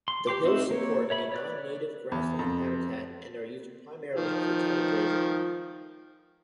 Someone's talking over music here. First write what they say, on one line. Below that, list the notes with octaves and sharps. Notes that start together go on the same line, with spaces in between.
The hills support a non-native grassland habitat, and are used primarily for cattle grazing.
C6
G4 C6 D6
C4 D#4 F#4 G4 E5
A#3 C#5
C#5 E5 B5
C#5 D5 F#6
E2
F2
D#3 F3